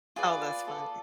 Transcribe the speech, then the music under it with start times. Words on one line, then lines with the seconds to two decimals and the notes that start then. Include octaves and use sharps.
Oh, that's funny.
0.16 F4 G#4 B4 D5
0.67 F4 A4 D5